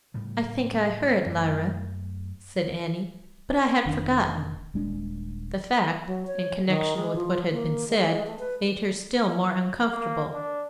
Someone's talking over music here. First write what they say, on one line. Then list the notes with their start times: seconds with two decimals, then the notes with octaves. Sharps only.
"I think I heard, Lyra," said Annie; "but I had forgotten." The fact, in connection with what had been said, made her still more uncomfortable.
0.14 A2 C#3 G3
1.25 F#2 A3
3.85 F1 D#3 D4
4.74 D#1 G#3 D4
6.06 F#3
6.27 C#5
6.67 D#3
6.96 G#3
7.15 F3
7.51 A#3
7.89 G#3
8.26 A3
8.39 B4
9.91 A#3
10.32 D4